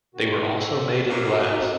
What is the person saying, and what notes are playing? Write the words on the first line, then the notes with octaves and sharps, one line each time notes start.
They were also made in glass.
B2 D#3 F#4
C5 E5
F#2 C3 A#3 D#4
C4 F#4 A4 D#5